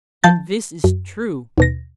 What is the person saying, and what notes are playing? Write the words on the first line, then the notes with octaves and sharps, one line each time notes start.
And this is true.
F3 A5 G6 A6
F#2
D#2 B2 A#6